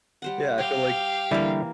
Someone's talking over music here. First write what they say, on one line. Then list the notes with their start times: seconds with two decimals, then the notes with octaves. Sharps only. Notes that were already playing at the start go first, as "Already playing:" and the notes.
Yeah, I feel, like,
0.22 G3 C5 F#5
0.58 G4 D#5 F5
1.31 D3 E3 G3 A#3 E4